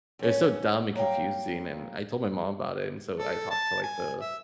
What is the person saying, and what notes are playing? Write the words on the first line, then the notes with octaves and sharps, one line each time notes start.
it was so dumb and confusing, and I told my mom about it, and so I talked to, like, the
F2 C#4
F#3 A#3 F5 G5
A4
A5
G#5
E5